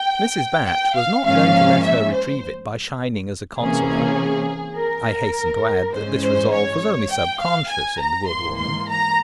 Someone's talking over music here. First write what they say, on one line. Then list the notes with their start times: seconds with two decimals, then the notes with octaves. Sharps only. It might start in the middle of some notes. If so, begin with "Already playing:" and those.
Mrs. Batch was not going to let her retrieve it by shining as a consoler. I hasten to add that this resolve was only sub-conscious in the good woman.
Already playing: G5
0.66 G5
0.95 F5
1.25 G#2 F3 A#3 C#4 F5
1.83 E5
2.13 C5
3.59 C3 E3 A#3 C#4 G#4
4.76 A#4
5.93 G#2 E3 G#3 C#4 C5
6.23 C5
6.52 C#5
7.11 G5
7.40 F5
7.69 G#5
8.00 A#5
8.28 G#2 E3 A#3 C6
8.57 C6
8.88 A#5